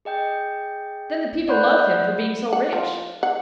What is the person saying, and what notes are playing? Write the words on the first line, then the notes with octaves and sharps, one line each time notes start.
Then the people love him for being so rich.
G#4 D#5 G5 G6
D5 D#5 F#5 B5 F#6 G6
F#5
F3
F#5